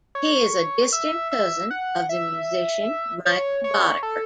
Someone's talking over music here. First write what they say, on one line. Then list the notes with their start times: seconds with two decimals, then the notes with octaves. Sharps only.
He is a distant cousin of the musician Michael Boddicker.
0.15 C#5
0.93 E5
1.32 E5
1.71 F#5
2.09 E5
3.25 C#5
3.64 C#5
4.03 A4